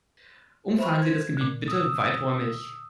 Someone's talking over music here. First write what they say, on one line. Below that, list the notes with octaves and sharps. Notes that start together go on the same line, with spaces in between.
Umfahren Sie das Gebiet bitte weiträumig.
C5 E5 B5 C#6
G#6
A#2 D3
D#6 E6